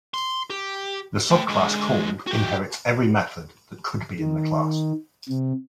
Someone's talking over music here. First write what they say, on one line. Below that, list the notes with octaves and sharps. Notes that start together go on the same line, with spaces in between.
The subclass called inherits every method that could be in the class.
C6
G4
A3 G5
D3 G#3
F#4 G4
D#3
C3